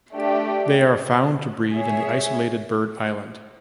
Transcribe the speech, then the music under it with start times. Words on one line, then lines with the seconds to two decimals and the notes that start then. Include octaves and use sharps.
They are found to breed in the isolated bird island.
0.13 A3 D4 G4
1.73 G#4 C#5 E5